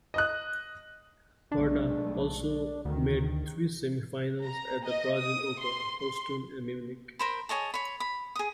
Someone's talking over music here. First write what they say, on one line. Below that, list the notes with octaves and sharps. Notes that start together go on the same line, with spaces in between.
Horna also made three semi finals at the Brazil Open, Houston and Munich.
D#5 D#6 F#6
B1 G#3 A3 D4
D2 D#3
A#5
D#5
D#6
C6
C6
A#4 C5 B5
G#4 C#5 D#5 A5
C#5 B5
B5
G#4 D#6